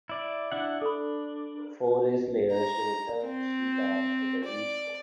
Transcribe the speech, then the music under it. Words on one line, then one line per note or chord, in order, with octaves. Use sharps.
Four days later, she returned to sea bound for the East Coast.
E4 D5
D4 E4 F#5
D4 A4 B5
A#5
C4
D5